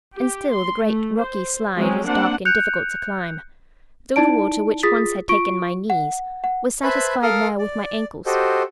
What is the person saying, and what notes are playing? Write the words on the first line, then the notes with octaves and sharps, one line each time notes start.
And still the great rocky slide was dark and difficult to climb; though the water, which once had taken my knees, was satisfied now with my ankles.
G4
C6
A3
C5
F#3 G#3 C4 C#4
A#3 C4 D4 F#5
F#6 G6 C#7 F7
D#4 E4 D5 A5 D7
F4 G#4 D#6 A6 B6
F4 C#6 D7
F#5
F#5
B4 C5 E5 G#5 A5 B5
A4 A#4 F5 D#6 F6
D5
F#4 G4 A4 C5 D#5